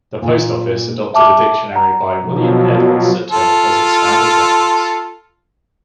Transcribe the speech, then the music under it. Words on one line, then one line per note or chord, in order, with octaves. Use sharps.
The post office adopted a dictionary by William Edward Soothill as its standard reference.
A#2
E5 A5 D6
F#5 A#5
B2 F3 F#3
F4 A4